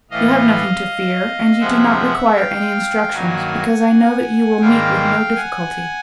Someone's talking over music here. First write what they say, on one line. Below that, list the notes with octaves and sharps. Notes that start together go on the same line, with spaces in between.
You have nothing to fear and you do not require any instructions, because I know that you will meet with no difficulty.
A2 E3 A3 D#5 F5
C3 F3 G#3 E5 F#5
F5 G5
G2 D#3 F#3 A#3 F#5 G#5
G#2 D#3 G3 A#3 F5 G5
F#5 G#5